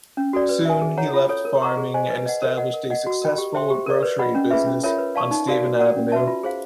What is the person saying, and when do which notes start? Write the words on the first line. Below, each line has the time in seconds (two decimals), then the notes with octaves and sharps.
Soon he left farming and established a successful grocery business on Stephen Avenue.
0.17 C#4
0.33 F#4 A4 D5
0.49 B4
0.65 E5 G#5
0.82 G#4
0.98 C#5 F#5 A#5
1.14 F4
1.29 A4 C#5
1.45 A#4
1.62 D#5 F#5 A#5 C#6
1.77 G#4
1.94 C5 D#5 G#5
2.10 B4
2.26 D#5 F#5
2.42 A#4
2.58 D#5 F#5
2.74 A#4
2.90 D#5 F#5
3.07 F#4
3.22 A#4 D#5 G5 B5
3.38 G4
3.55 C5 E5 G5 C6
3.70 G4
3.86 A#4 D5
4.03 B4
4.19 D#5 F#5 B5
4.35 C#4
4.51 F4 G#4 B4 E5
4.66 C#4
4.83 F4 A#4 C#5 E5
4.98 B4
5.15 D5 F5 A5 C#6
5.31 D#4
5.47 F#4 A#4 D5 F5
5.63 F#4
5.79 A#4 D5 F#5
5.95 C#4
6.12 F#4 B4 E5 A5
6.27 F4
6.44 G#4 C5 F5